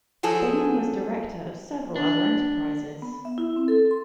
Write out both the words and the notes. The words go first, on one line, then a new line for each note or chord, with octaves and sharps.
Bingham was director of several other enterprises.
F3 F#3 G#4 A4
D4
B3
E5
E4
C4
A4
C6